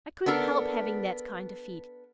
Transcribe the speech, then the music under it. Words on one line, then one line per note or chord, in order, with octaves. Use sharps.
I couldn't help having that kind of feet.
B3 D4 A4 A#4